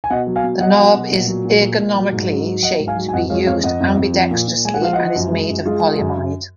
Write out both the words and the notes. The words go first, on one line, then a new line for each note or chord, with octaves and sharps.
The knob is ergonomically shaped to be used ambidextrously and is made of polyamide.
G#5
B2 D#5 F#5
F#3
F5 G#5
B2
F#3 D#5 F#5
F#3
B2
A#2
F#3
A#2
A#2
A#2
F#3
G#2
F#3
F#3
F#3 D#5 F#5
G#2
F5 G#5
F#3
G#5
F2 D#5 F#5
G#3 C#5 F5
F2 C#5 F5
F2 D#5 F#5
F2
F2
F3
A#2
A#2
G#3 G#5
F#5
F3 F5
F3 D#5 F#5
F#2
G#3
F#2
G#3 F4 G#4
G#3
F#2
F#2